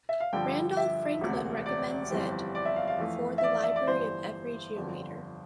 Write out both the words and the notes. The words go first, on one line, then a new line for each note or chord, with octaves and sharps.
Randolph Franklin recommends it "for the library of every geometer".
E5
F5
G2 D3 F3 G5
E5
E1 D2 C3
D5
G1 F2 E3 G3 C4
D5
E5
F5
F5
F2 E3 A3
E5
D5
E5
D5
G1 G2 E3 C5
G1 F2 D3